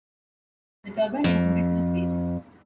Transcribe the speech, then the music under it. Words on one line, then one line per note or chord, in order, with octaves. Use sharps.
The turbine included two stages.
F2